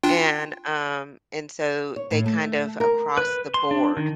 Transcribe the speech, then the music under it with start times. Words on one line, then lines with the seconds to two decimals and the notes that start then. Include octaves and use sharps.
And, um, and so they kind of, across the board,
0.03 D4 F4 G5
1.96 C#5
2.11 A2
2.26 A3
2.80 A#4
3.18 B4
3.54 C6
3.71 D4
3.97 D#3